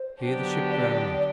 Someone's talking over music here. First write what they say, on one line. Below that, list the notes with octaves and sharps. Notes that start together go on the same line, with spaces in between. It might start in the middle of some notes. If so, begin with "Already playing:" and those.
Here the ship grounded.
Already playing: C5
D3 F#3 B3 D4 G4
D5
D5
D5